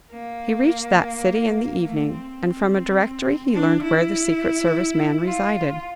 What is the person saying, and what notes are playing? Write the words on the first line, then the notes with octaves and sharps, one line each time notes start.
He reached that city in the evening, and from a directory he learned where the secret service man resided.
A#3
A3
C4
D4
E4
F4